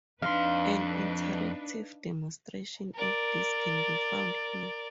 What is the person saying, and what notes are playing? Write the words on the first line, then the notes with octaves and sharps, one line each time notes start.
An interactive demonstration of this can be found here.
F2 D4 D#4 B4 F5 C6
A#4 D5